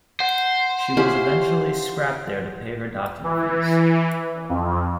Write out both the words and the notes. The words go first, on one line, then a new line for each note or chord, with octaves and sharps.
She was eventually scrapped there to pay her docking fees.
C5 F#5
C#4 E4 F4 G4 B5
E3
F2